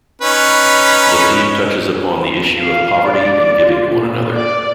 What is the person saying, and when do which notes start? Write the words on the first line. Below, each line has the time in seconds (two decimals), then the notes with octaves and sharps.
The theme touches upon the issue of poverty and giving to one another.
0.22 C#4 D#4 B4
2.58 F5
3.05 D5
3.62 F4
3.94 A#2
4.35 D5